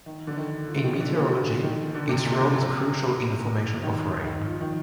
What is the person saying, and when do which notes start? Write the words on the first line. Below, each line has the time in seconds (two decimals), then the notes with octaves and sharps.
In meteorology, its role is crucial in the formation of rain.
0.06 D#3
0.27 D3
0.37 D#3
0.68 F3
0.83 D#3
1.00 D3
1.16 A#2
1.31 D3
1.63 D#3
1.95 D3
2.09 C3
2.25 A#2
2.41 C3
3.83 D#3
4.25 D#3
4.46 F3
4.61 D#3